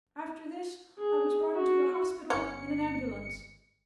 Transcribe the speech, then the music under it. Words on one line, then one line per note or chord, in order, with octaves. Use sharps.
After this I was brought into the hospital in an ambulance.
G#4
F#4
G1 C#4 C#7